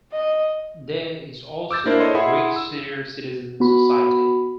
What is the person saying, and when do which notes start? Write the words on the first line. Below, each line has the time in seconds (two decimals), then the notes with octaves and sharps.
There is also a Greek Senior Citizen Society.
0.12 D#5
1.71 D6 E6 G6 A6
1.86 A#3 D4 E4 A#4 C5
2.00 A4 C#5 D#5 C6
2.14 E4 G#4 E5 F#5 B5 C6
2.56 E6
3.60 B3 F#4 B5